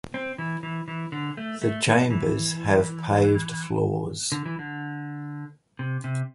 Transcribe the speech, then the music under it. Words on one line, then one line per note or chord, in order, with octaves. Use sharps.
The chambers have paved floors.
C4
E3
E3
E3
D3
A3
A3
B3
E3
D3
E3
D3
C3
C3